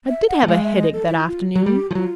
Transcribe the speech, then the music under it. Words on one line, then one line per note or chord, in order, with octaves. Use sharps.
I did have a headache that afternoon.
E5
F#5
A3
G#3 F5
E5
D#5
A4
E4
F4
F#3
G3 G4
F3
F#3 F4